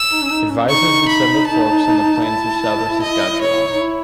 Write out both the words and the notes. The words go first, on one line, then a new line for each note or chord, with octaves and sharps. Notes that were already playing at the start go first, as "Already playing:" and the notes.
It rises in several forks on the plains of southern Saskatchewan.
Already playing: E6
D#4
C#4
D#4
C#4
D#4 C#6
B5
A5
E4 A5
D#5
C#5
D#4
E4